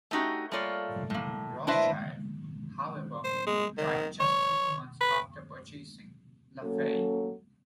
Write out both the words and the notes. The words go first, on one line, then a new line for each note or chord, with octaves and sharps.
Rothschild, however, died just three months after purchasing Lafite.
A3 C#4 D#4 F#4 G4
G3 A3 A#3 F4 C#5 D5
A2 A#3
D4 E4 B4 C5 D#5 E5
C5
G#3
D#3
C#5
B4
F#3 A#3 C#4 A4